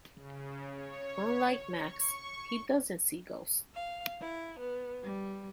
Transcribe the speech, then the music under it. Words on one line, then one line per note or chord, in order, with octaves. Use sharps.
Unlike Max, he doesn't see ghosts.
C#3
C#5
C#6
F5
E4
B3
G3